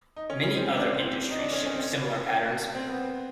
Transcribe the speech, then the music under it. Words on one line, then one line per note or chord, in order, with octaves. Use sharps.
Many other industries show similar patterns.
D#4
C#4
C#4
C4
D4
C4
C4
D#4
D4
C#4
C#4
C4
C#4
C4
B3